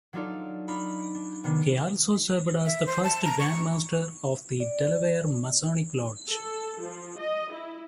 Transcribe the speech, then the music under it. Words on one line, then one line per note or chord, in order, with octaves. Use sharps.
He also served as the first Grand Master of the Delaware Masonic Lodge.
F#3 D4 D#4 F4 A4 D5
D4 D#4 F4 B5
D4
C3 D#3 B3 D4
E5
C5
A5
A#5
C#6
D5
A4
F3
D#5
E4